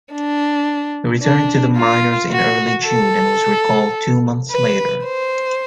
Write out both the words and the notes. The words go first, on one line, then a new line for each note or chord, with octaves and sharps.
He returned to the minors in early June and was recalled two months later.
D4
D4
F4
F#4
A4
B4
C5